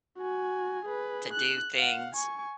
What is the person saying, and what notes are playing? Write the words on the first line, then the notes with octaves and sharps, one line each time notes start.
to do things,
F#4 G#5
G#4 B4
F#6
F5 F#5
G#5 C#6